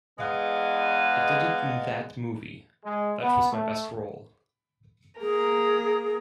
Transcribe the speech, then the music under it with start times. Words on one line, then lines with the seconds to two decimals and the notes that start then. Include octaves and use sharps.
I did it in that movie, that was my best role.
0.19 E2 G#3 B3 D#5 F5
2.84 G#3
3.21 B3
3.51 A3
5.21 A#3 G#4 A#4